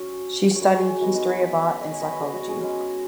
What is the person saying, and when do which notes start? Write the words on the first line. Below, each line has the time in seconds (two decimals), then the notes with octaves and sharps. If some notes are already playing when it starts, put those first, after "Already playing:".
She studied history of art and psychology.
Already playing: F#3 C#4 C#5
0.55 C#5
0.61 F#4 B4
0.76 G#4
0.89 G#4
1.01 G#3 B3 D#4 F#4
1.15 D#5 G#5
1.29 F#5 B5
1.42 F#5 B5
1.81 D#5 G#5
1.91 C#5 F#5
2.01 B4 D#5
2.11 B4 D#5
2.20 G#4
2.34 F#4
2.48 G#4
2.61 G#3 C#4